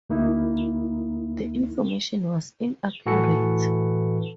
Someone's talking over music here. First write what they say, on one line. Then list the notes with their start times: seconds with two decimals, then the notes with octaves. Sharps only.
The information was inaccurate.
0.10 D2 A#3 D#4 E4
3.06 A2 E3 F#4 A4 B4 C#7